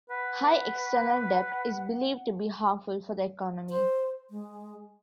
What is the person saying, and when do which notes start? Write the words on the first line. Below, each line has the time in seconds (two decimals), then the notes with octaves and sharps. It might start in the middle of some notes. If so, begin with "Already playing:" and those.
High external debt is believed to be harmful for the economy.
0.10 B4 F#5
3.70 C5
4.30 G#3